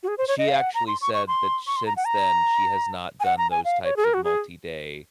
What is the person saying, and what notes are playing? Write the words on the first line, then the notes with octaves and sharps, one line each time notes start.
she actually said that sh ince then, she has not done those types of multi-day
F#4
G#4
C5
C#5
D#5
F5
F#5
A#5
C6
C#6
C#6
C6
C#6
C6
A#5
F#5
A#5
G#5
F#5
A#5
G#5
F5
C#5
G#4
A#4
F#4
G#4